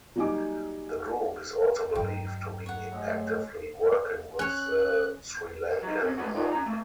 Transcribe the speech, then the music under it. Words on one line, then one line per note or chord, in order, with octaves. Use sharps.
The group is also believed to be actively working with the Sri Lankan Army.
F#3 G3 A#3 D#4 G#5 D6
G2 D#3 F#3 G5
C#5 F#5
A2 G#3
C#4 C#5 F#6
F#3 D#4
C3 C4 C#4
G#3 A3 B3 C#4 F#4
D#4 F4 D5
C#4 A#5
A3 A#3